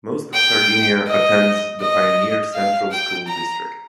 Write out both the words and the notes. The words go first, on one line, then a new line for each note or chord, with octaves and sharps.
Most of Sardinia attends the Pioneer Central School District.
G5
D#5
D#5
F5
G5
A#5